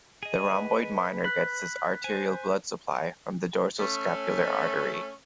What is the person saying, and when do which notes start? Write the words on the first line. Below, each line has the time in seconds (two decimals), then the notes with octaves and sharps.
The rhomboid minor gets its arterial blood supply from the dorsal scapular artery.
0.23 G#4 D#5
0.51 B4
1.24 B5 F#6 B6
2.04 C5 G#5
3.80 A3 C#4